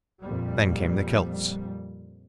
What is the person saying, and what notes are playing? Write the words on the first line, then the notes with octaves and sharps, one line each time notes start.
Then came the Celts.
F2 A#2 G3